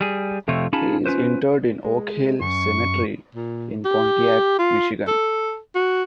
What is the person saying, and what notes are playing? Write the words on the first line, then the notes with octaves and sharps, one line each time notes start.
He is interred in Oak Hill Cemetery, in Pontiac, Michigan.
G3 G#4
F2 C3 A3 C4 F4 C#5
C#4 D#4 F4 G#4 A5 B5
C#4 F4 B4 C5
G#3
F#2 C#6
A#2
G4
F4
A4
F#4